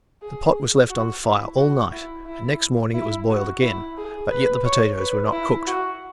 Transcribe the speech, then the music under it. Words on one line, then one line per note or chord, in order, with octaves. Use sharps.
The pot was left on the fire all night, and next morning it was boiled again, but yet the potatoes were not cooked.
G#4
F#4
E4
F#4
E4
E4
E4
F#4
E4
G#4
B4
C#5
B4
E4
F#4